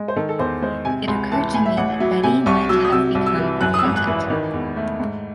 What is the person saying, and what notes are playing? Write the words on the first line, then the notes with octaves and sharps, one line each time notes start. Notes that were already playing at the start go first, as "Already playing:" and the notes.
It occurred to me that Betty might have become repentant.
Already playing: G#3
C5
D#3 A4
A4
E2 C5
G#3 C5
C3 G#5
C#2 C6
E3 A5
A2 G#5
E5
A1 F#5
F#3 E5
C3 G#5
C2 C#6
F#3 E6
D#6
C3 E6
C2
E6
E3
F#2 F#6
D#6
E6
G#1
F#6
E3
D#3
E2
A3
G#2